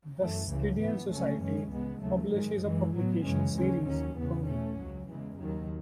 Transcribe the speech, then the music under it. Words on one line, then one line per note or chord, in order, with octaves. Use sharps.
The Skyttean Society publishes a publication series, Kungl.
F#2 E3 A3
C#2 C#3 E3
G#2 E3 B3
C#2 C#3 F#3 A3 C#4
F#2 E3 G#3 C#4
C#2 C#3 G#3 B3
D#2 C#3 F#3 A3
G#2 D#3 G#3
F#2 E3 G#3
A2 F#3 B3
F#2 C#3 E3 G#3 C#4
D#2 C#3 G#3 C#4
D#2 D#3 F#3 C#4
E2 C#3 E3 B3
B2 A3 C#4
C#2 C#3 F#3
E2 C#3 E3 G#3
D#2 D#3 F#3